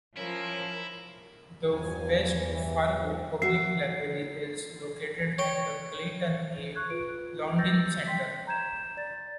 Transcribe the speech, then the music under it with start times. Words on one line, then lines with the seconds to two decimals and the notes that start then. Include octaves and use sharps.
The West Fargo Public Library is located in the Clayton A. Lodoen Center.
0.17 F3 C#4 E4 A#4
1.73 E2 G2 F3 G#5
2.45 G2 E3
2.92 G#2 D3 F3
3.42 F#4 E5 C7
5.38 C#5 G5
6.75 C#6 F#6 G#6
6.90 F4 B4 D7
7.58 E6 G6 A6 A#6
8.06 G5 C6 B6
8.47 A#5 G6 G#6 E7
8.97 D5 A6